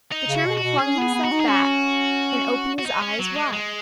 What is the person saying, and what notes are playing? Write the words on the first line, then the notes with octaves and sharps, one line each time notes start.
The chairman flung himself back and opened his eyes wide.
D#4
C#3
F#4
B2
F#4
B2
C#4 G#4
B3 G#4
B3
F#4
D#4
G#4
C#4 F#4
F#4
D#4
C#4
F#3
G#3
G#3